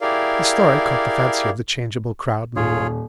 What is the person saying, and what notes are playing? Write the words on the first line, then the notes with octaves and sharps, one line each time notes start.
The story caught the fancy of the changeable crowd in the room.
E4 G4 G#4 A#4 D5 F5
D#1 F4 G#4 C#5